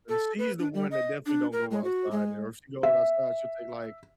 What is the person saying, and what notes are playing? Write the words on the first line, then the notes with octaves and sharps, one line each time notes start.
and she's the one that definitely don't go outside, and if she goes outside she'll take, like
A4
B4
D4
G3
D#5
D4
A#4
G#3
F#4
G#3
E5